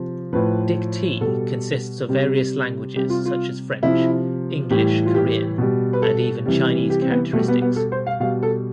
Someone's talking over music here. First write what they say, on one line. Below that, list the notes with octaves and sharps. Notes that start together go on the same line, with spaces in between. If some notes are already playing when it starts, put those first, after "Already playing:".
"Dictee" consistes of various languages such as French, English, Korean and even Chinese characteristics.
Already playing: C3 F3
A2 F3 B4
B2 G3 A4
C3 G3
C3 G3 G4
F4
F4
C3 F3 E4
A2 E3 G3 G4
F4
G4
B2 G3
B4
A4
C3 E3 G3
G4
C4
B3
B2 G3 A3
B3
B3
A4
C5
F5
B2 G3 F5
A4